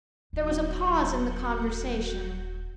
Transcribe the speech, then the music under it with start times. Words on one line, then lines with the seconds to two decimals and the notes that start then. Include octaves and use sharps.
There was a pause in the conversation.
0.33 D#1 F#3 F#4 G6